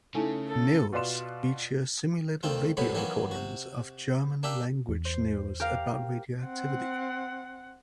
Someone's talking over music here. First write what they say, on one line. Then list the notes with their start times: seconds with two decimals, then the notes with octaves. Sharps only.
"News" features simulated radio recordings of German-language news about radioactivity.
0.15 C#3 A3 D#4 E4 G#5
0.48 A4
0.92 B2 F4 B4 D5 C6 E7
2.43 D2 D#3 C4 F4
2.77 C2 A2 C3 F#3 B3 B5
2.95 D#3 E3 F#3 A#3 B3
3.31 C3 F#4
4.43 A#3 D4 G4 E5
4.89 E2
5.05 C5
5.60 G4 A#4 F5
6.44 C4 F#5